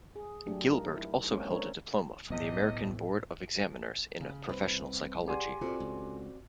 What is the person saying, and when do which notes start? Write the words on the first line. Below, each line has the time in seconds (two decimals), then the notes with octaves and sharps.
Gilbert also held a diploma from the American Board of Examiners in Professional Psychology.
0.16 G#4
0.46 F#3 A3 D4 G4
0.70 D#4 F4 A#4
0.96 E4
1.30 G#3 A#3 C4 C#4 C#5 F5
1.51 C#4 D4 A4 A#4 C5 C#5
2.30 D1 B1 A2 C3 B3 D#5
4.21 C#3
4.49 C2 C4 B4
5.28 G4 G#4 D5 F#5 G#5 C6
5.61 A#2 C4 F4 F#4 A4 D5
5.80 C#2